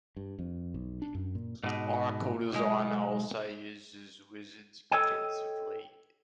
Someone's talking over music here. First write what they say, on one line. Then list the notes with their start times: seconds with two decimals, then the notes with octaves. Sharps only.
Oracle Designer also uses wizards extensively.
0.16 G2
0.39 F2
0.74 B1
1.02 D4
1.15 F#2
1.35 A#2
1.63 G#2 B2
2.53 B1 G#3
4.91 A4 C#5 D#5 G5